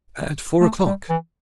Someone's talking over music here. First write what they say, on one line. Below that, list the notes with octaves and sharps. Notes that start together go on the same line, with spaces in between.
"At four o'clock."
A3
G3
E3